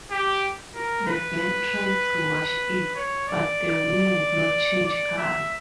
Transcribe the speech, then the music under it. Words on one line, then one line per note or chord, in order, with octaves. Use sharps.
The girl tries to wash it, but the wool would not change color.
G4
A#4
B4
C#5
D5
D5
E5